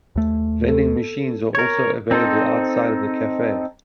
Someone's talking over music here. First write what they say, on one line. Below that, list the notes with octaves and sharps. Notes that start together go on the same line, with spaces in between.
Vending Machines are also available outside of the Cafe.
D#2 A3
A4
A#4 C#5
C4 D#4 A4 C5